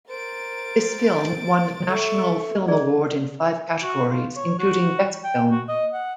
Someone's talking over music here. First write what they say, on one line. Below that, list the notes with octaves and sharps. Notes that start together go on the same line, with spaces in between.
This film won National Film Award in five categories including Best Film.
A#4 C5 A6 D7
A4 E5 C#6
G#4 D5
F#4
F4
C#5
F#4
G5
F#4
D#5
F#5